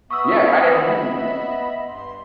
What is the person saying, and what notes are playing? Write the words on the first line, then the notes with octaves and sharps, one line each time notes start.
Yeah, right at your home, like
B3 E5 B5 C#6 D#6 E6
D#5
G2 C6